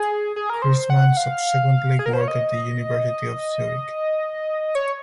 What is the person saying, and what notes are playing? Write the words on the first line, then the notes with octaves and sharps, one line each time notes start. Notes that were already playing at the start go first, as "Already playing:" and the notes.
Christman subsequently worked at the University of Zurich.
Already playing: G#4
G#4
A#4
C5
F#5
F5
G#4
A#4
C5
C#5
D#5
C#5